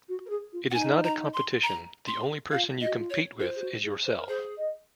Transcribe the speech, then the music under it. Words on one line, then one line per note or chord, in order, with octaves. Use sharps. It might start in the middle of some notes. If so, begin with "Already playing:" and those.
It is not a competition, the only person you compete with is yourself.
F#4
A#4
G#4
F4
F#5
D#4 G#5
A#5
C6
A#5
C6
F4 F5
D#5
F#4
F4
C#5
F4 C5
G#4
F#4
G#4
C5
A#4
G#4 C5
D#5